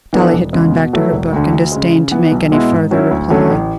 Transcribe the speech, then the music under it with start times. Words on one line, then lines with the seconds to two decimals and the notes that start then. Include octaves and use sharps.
Dolly had gone back to her book, and disdained to make any farther reply.
0.13 E3 B3 D4 A4
0.32 E1
0.53 E2 C#3 G#3
0.72 B2
0.93 F#3 A3 E4 B4
1.12 E1
1.32 D2 D3
1.52 D2
1.72 C#3 G#3
1.93 C#3
2.11 E3 B3
2.32 B1
2.51 B2 G#3 B3 E4
2.72 G#2
2.91 F#3 C#4 E4
3.11 D2
3.30 D3 F#3 A3 C#4
3.50 A1